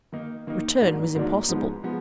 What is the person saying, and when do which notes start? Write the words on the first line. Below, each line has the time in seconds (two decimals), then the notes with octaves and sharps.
Return was impossible.
0.12 D#3 A#3 D#4
0.47 D#3 A#3 D#4
0.81 G#2 F#3 A#3 D4
1.15 G#2 F#3 A#3 D4
1.49 G#2 F3 G#3 B3
1.83 F3 G#3 B3